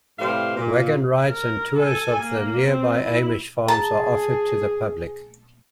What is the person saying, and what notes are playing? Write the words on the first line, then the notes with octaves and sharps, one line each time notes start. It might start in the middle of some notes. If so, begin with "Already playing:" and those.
Wagon rides and tours of the nearby Amish farms are offered to the public.
A2 C3 G3 B4 F5 C6
A#2
A#4
A4 G#5
A#3
C4
E4
G#4 A5 A#5